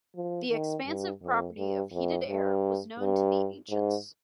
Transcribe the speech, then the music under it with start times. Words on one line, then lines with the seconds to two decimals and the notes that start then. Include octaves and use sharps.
The expansive property of heated air was known to the ancients.
0.16 F3
0.51 D#3
0.86 G2
1.22 F2
1.57 G2
1.93 F2
2.28 G2
3.00 G2
3.70 G#2